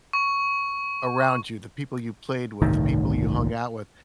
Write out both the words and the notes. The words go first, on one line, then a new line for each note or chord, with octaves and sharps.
around you, the people you played with, the people you hung out with,
C#6
G1 C2 A2 D#3